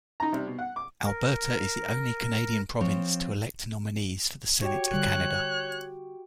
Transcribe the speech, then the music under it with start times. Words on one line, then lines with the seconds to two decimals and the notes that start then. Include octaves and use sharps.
Alberta is the only Canadian province to elect nominees for the Senate of Canada.
0.20 D#4 A#5
0.32 C3 G3
0.47 B2
0.59 F#5
0.76 D6
1.05 A#4
2.81 F3 C4 C#5
4.62 F#4 G4 C#5 G5
4.93 D3 G3 F#6